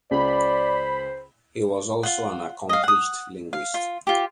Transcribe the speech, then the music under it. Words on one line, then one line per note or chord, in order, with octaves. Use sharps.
He was also an accomplished linguist.
C#2 C5 D5 B5
F4 F#5
D#5 F5
F#5 D#6
F5
F4
F4 G4